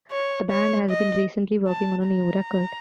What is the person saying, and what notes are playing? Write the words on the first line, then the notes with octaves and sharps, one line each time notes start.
The band has been recently working on a new record.
C#5
C#5
D#5
A5
A#5